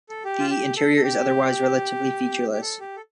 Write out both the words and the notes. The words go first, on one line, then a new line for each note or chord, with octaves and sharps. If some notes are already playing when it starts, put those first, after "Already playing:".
The interior is otherwise relatively featureless.
A4
G4
F4
G4
A4
A4
G4
G4
A4
G4
A4